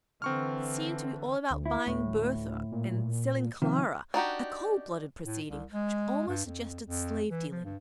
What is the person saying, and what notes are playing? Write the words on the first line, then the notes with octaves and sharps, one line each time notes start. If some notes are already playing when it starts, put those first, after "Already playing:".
It seemed to be all about buying Bertha and selling Clara--a cold-blooded proceeding which almost suggested slave-dealing.
D3 E3 C4 C#6 F6
D2
E4
D2 A2
A#2
C3 D#3 F3
D4 D#4 F#4 G4
A2
C2
G#3
G2
F2
F2
E3
F3
G2